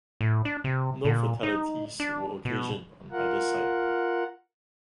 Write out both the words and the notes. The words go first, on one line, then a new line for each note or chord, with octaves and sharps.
No fatalities were occasioned on either side.
A2
D4
C3
A#2
D#4
D4
B2
F4 A#4 F#5